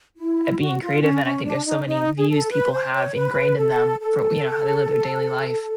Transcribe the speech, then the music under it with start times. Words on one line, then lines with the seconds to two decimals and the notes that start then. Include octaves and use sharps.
at being creative and I think there's so many views people have ingrained in them for, you know, how they live their daily life.
0.17 E4
0.60 F#4
0.81 F4
1.02 C#4
1.24 C#4
1.45 D4
1.65 D#4
1.82 D4
1.87 D#4
2.18 G#4
2.29 A4
2.51 B4
2.72 C5
2.93 C#5
3.15 B4
3.57 A4
4.00 A4